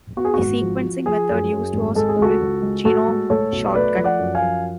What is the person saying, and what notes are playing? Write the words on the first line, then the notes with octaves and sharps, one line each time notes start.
The sequencing method used was whole genome shotgun.
B3 F#4
G#4
F#4
G#1
F3
F3
F3 G#4
F#2
F#2
G#1
G#3 A4
G#4
C#2 F#4 A4
C#2
G#3
A2 F#4 A4
G#3
A2 A4 C#5
B1
A3 B4 D5
F3
D5 F#5
F#2
F5 G#5
F3